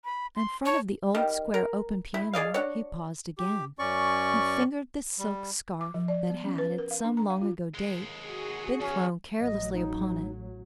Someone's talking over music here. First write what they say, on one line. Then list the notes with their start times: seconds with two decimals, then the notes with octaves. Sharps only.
In front of the old, square, open piano he paused again, and fingered the silk scarf that had, at some long ago date, been thrown carelessly upon it.
0.04 B5
0.36 C6
0.65 C#5 A5
1.15 D#3 G3
1.54 A#4
2.14 E4
2.33 G#4 D5 D#5 F5
2.54 D4 F#4 C#5
3.38 G4
3.79 F#2 C#4 D5 C#6
5.19 G3
5.81 D6
5.94 F3
6.08 D5
6.30 B3
6.45 C#4
6.58 B4
6.78 A#4
6.91 F5
7.04 D4
7.17 A#5
7.30 F5
7.42 F4
7.74 D#2 G#3
8.24 F#4 G#4
8.80 E2 C#4
9.39 A1 F#3 D#5
9.73 D#4